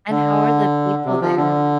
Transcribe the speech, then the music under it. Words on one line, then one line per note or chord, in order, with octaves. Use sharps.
And how are the people there?
D3
C3
F3
D3